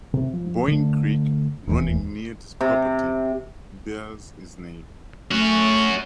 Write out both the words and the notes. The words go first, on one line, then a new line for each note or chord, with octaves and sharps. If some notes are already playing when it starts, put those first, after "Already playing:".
Boeing Creek running near this property bears his name.
C3
F3
D3 A3
E1 D#2 E3
C3
A3 C#4 F#4